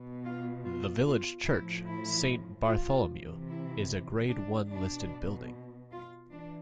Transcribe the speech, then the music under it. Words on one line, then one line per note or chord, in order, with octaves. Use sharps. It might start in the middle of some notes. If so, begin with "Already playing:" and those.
The village church, Saint Bartholomew, is a grade one listed building.
Already playing: B2
F4
F4
F4
A2 F3 E4
E4
F4
C3 E3
E4
D4
B2 D4
F4
E3 D4